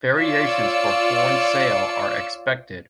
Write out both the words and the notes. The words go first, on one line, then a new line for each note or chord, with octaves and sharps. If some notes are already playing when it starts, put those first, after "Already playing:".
Variations for foreign sale are expected.
F4 C#5 D5 E6 C#7